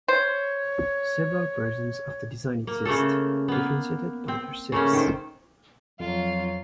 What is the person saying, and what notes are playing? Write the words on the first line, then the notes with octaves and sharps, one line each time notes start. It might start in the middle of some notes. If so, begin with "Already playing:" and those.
Several versions of the design exist, differentiated by their shapes.
C5 C#5
A#3
C#3 A3 A#3 A4
A#3 B3
C4
C#3 A3 A#3 C#4
D#3 C5
F2 F#3 F4 F5